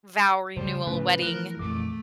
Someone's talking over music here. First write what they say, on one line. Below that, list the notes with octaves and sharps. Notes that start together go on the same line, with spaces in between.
vow renewal wedding,
C#3 F3 G3 A3 C5
A2 C#3 F3 A3 B3 B4
E3 A#4 F#6
A#1 F2 A3 D6